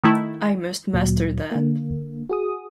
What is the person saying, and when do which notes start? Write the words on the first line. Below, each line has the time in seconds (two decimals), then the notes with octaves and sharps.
I must master that.
0.04 D#3 A3 E4
0.94 D2 A#2 F#3
1.51 D3 A#3
2.29 F#4 G#4 D#6